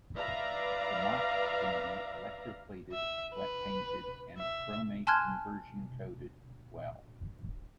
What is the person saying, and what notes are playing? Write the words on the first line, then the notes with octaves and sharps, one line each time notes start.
Zamak can be electroplated, wet painted, and chromate conversion coated well.
B4 D5 E5 F5 A#5
E5
B4
E5
G#5 A5 C6 F6 F#6 G#6